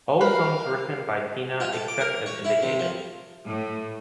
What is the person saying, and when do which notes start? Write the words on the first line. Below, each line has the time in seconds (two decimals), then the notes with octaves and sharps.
All songs written by Pena except as indicated.
0.21 A#4 B4 F5
1.60 F4
1.73 A4
1.88 D6
2.01 A#4
2.26 C#5
2.45 E4
2.63 C3
2.80 F3
3.44 A2